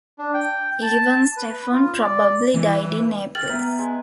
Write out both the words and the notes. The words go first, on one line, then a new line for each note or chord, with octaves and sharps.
Ivan Stefan probably died in Naples.
D4
G5
A5
B4
F4
D5
E3
G5 F6 A6 F#7
B3 E5 A#5
G#3